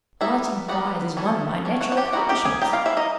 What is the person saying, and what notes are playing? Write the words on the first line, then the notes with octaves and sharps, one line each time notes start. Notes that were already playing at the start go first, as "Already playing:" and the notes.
Lighting fires is one of my natural accomplishments.'
G3 B3 D#4 E4 E5
G3 B3 D#4 F#4 F#5
E3 A3 C#4
E3 A3 C#4
F#4 F#5
F#5
G4 G5
G3 A#3 D#4 F#4 F#5
G4 G5
G#4 G#5
G3 A#3 D#4 G4 G5
F4 F5
E4 E5
D#4 D#5